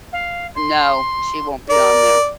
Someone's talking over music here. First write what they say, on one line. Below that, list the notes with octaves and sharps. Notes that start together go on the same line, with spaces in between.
No. She won't be on there.
F5
C6
A#4 D5